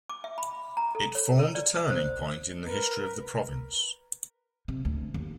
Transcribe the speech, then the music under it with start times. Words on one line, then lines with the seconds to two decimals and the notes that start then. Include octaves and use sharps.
It formed a turning point in the history of the province.
0.09 D6
0.24 E5
0.38 B5
0.77 A#5
0.95 A4
1.15 C#5
1.39 A#4
1.55 D5
1.75 D#6
1.90 C5
2.66 A#4 B4
4.68 C3
4.85 D2
5.14 D#2